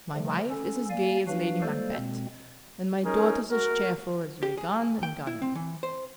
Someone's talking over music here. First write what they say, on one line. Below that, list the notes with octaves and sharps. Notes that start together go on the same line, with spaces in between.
My wife is as gay as Lady Macbeth, and my daughters as cheerful as Regan and Goneril.
C#3 F3 G3 A3
C#4 A4
A#3 D5 F5 G#5
F#3 D4 F#4 B4 F5
G3 G#3 A#3 A4 C5 D5
B2 G#3 C4
C#4 D#4 G#4 A#4
F#4 A#4
G4
G#4
G5
E4
C4
E3
C5